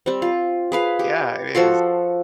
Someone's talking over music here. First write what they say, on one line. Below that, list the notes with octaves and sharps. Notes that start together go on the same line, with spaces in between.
Yeah, it is.
G3 C4
F4
G#4 B4 F5
G4
F3 F#4 A4 C6